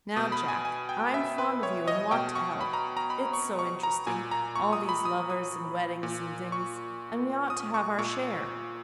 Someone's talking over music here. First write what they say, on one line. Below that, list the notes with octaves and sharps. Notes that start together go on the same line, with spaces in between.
Now, Jack, I'm fond of you, and want to help; it's so interesting--all these lovers and weddings and things, and we ought to have our share.
B2 D#6
B5
G#5
G#5
G5
E5
B4
C#5
D#5
B2 G5
C#6
B5
A#5
A#5
B5
C#6
C#6
A#5
A#2 G#5
A#5
C#6
D#6
B5
D#6
D#6
A#2
C#6
D#6
C#6
A#2 C#6